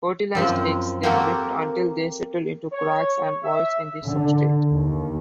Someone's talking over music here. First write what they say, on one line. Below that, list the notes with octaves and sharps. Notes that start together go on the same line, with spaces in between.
Fertilized eggs then drift until they settle into cracks and voids in the substrate.
F#2 F3 C4
A#3 C4 F#4 G4 A4 A#4
C#5
C#5
E5
D3
D#2